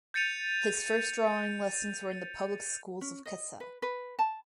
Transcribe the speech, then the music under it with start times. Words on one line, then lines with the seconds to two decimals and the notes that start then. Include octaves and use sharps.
His first drawing lessons were in the public schools of Kassel.
0.14 G6 A6 C#7 D#7 F7
3.01 C#4
3.26 D#5
3.60 B4
3.82 B4
4.19 A5